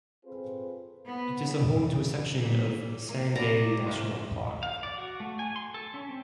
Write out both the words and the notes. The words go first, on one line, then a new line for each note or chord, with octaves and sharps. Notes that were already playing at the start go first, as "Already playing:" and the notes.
It is a home to a section of Sangay National Park.
C4 F4 G#4 A4 B4 C5
B3
C#3
A#2
A#3 D#7
F1 D5 A#5
C7
C2 D#3 A#6
G#2 E7
F5
D5
F#4
A3
G#5
C6
A4
C#4
C4